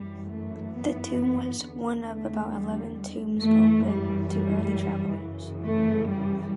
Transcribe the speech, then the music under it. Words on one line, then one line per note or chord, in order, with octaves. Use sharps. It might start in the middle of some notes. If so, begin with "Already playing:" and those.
The tomb was one of about eleven tombs open to early travelers.
Already playing: F#2 E3 G3
A3
B3
E2 D3
A3
G3
F#2 E3 A3
G3
G3
F#2 C#3 E3
A3
G3